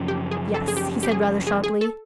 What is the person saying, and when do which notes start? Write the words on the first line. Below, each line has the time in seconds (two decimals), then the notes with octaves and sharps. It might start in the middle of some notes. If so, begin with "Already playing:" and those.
"Yes," he said rather sharply.
Already playing: F#2 C#3 F3
0.08 G4
0.31 G#4
0.54 A4
0.68 G#4
0.77 G4
1.03 G4
1.12 G#4
1.47 G#4
1.64 G#4
1.81 A4